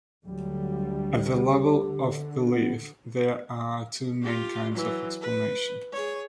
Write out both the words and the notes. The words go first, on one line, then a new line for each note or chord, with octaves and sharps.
At the level of belief, there are two main kinds of explanation.
D2 D3 F#3 G3
G4
D3
B3
F4 G4
E3 F#3
B4
G#4 C#5